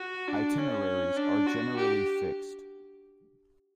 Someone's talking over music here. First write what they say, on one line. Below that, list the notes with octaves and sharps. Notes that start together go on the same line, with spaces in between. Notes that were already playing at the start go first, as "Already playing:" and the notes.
Itineraries are generally fixed.
Already playing: F#4
D4
C#4
D4
F#4
G4